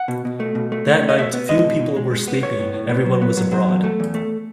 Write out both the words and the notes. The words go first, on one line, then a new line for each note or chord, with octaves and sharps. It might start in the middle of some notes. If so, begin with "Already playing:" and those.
That night few people were sleeping, everyone was abroad.
Already playing: F#5
B2
B2
A3
B2
A3
A3
A3
D#5
B2 E5
B3
G#3 D#5
B2
B2
G#3
G#3
B3
B3 C#5
A2
A2
B3
F#3
B3
F#3
F#3
E2
A3
E2
A3